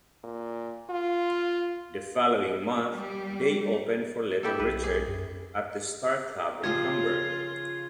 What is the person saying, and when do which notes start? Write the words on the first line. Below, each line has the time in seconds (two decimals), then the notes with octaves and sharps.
The following month, they opened for Little Richard at the Star Club in Hamburg.
0.24 A#2
0.90 F4
2.90 G3
4.43 E4 G4 A4
4.60 B1 B4
4.84 G#4
5.08 F#2
6.64 C#3 F3 F4 G4 G#6